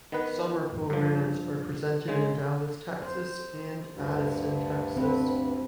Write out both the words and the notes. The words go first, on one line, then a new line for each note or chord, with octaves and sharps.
Summer programs are presented in Dallas, Texas, and Addison, Texas.
D#3 B3 B4
G2 F3
C#3 G#3
C5
D2 G2
C4 B4